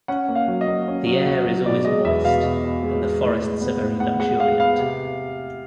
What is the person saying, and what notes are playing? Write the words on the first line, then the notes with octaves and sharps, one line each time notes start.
The air is always moist, and the forests are very luxuriant.
C#4 F#5
A#3
F5
F#3
D#5
A#3
C#4
F#3
F#3
F#3
B2 D5
G#3 D#5
E2 E5
B2 F5
B2
B2
G#3
G#3
A2
G#3
B3
A2
B3 F#5
G#3 F#5
G#3 F5
B3 F5
C3